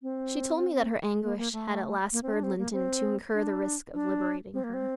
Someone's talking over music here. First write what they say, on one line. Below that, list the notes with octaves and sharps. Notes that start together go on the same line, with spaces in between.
She told me that her anguish had at last spurred Linton to incur the risk of liberating her.
C4
A#3
A#3
A3
A#3
C4
D4
C4
A#3
C4
D4
D4
C4
A#3
C4